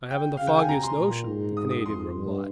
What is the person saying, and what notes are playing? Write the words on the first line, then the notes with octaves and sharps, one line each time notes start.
"I haven't the foggiest notion," the Canadian replied.
G5
C#3 F5
G5
G#5
C3 A#5
C6
A#2
G#2
D#6
D#6
F2 C6
G2